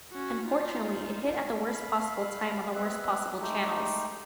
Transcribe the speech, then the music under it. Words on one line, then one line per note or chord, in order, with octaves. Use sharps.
Unfortunately it hit at the worst possible time on the worst possible channels.
C#4 F#4
D#4 F4
F5 B5
B3 C4 E5 F#6
G#3 A3 D#4 G4